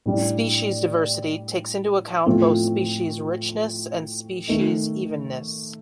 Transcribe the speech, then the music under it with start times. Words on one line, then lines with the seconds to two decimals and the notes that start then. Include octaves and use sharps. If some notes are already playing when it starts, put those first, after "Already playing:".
Species diversity takes into account both species richness and species evenness.
0.06 A2 G3 D4
2.26 A2 F3 A3 C4 F4
4.48 D#3 A3 D#4